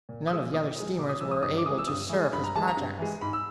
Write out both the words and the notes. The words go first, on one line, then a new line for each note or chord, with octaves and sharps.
None of the other steamers were able to serve his projects.
A#2
D#6
F3 G#3 E6
A#2 D#6
F3 G#3
A#2 D6
D#6
F3 G#3 E6
D#6
G2 D#6
D6
E3 G#3 D#6
E6
G2 D#6
E3 G#3
G2 B5
A#5
E3 G#3 A5
A#5
G2
E3 G#3
G#2 B5
E6